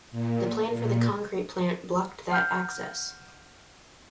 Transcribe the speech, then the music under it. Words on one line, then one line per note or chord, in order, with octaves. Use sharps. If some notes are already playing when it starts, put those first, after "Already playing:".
The plan for the concrete plant blocked that access.
A#2
A#2
F#5 F6 G6